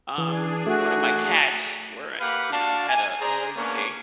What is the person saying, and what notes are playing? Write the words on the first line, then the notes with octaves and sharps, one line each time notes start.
um, one of my cats were you know, had an emergency.
E3 D4 G#4
A3 F#4
A#3 G4 B4 F5 F#5
D4 F#4 F5 A5
G#5
G#4 C5 D5 A#5
A#3 B3 C#4 D4 C#5